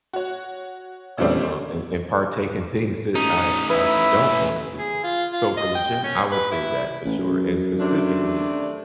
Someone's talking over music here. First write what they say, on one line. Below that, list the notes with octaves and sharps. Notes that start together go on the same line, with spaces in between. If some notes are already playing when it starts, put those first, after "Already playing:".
uh, a and partake in things that I I don't wanna do." So for the gym, I would say that for sure, and specifically,
F#4 C#5
A#2 D3 G3 A3 C4 C#4
A3 C#4 D#4
E4 B4
G#4
F4
F4
D#5
G5
C#4
B4
E4
A1
F#2
C3 A3 D4